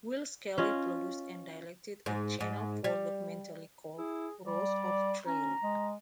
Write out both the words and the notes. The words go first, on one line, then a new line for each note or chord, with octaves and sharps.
Will Scally produced and directed a Channel Four documentary called "Rose of Tralee".
C#4 F4 D#5
G#2
G#2
G3
E4 G#4
G3 D5
C#4 A#5
G#3